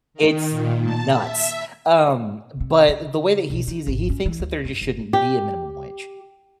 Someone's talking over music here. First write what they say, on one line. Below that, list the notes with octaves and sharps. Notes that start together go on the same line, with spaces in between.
it's nuts, um, but the way that he sees it, he thinks that there, just, shouldn't be a minimum wage.
D#3
A#2
A5
E5
C3
C#3
B1
D#4
G#1
C#4
E3
D2
F#2
F#1
G4